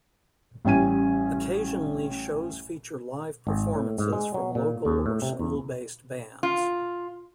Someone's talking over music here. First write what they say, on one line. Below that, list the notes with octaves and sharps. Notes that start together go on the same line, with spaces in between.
Occasionally, shows feature live performances from local or school-based bands.
A1 G3 C#4 G#5 D#7
G#1
A2
G#2
G#3
F#3
A#2
D#2
A2
C3
E2
F4